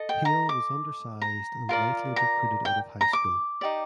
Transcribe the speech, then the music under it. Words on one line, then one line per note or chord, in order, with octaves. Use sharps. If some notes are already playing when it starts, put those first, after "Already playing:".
Hale was undersized and lightly recruited out of high school.
Already playing: A4 D#5
G5
A#5
D6
A#5
F4 A#4 D5
A#5
G5
A#5
D6
D#4 G4 D5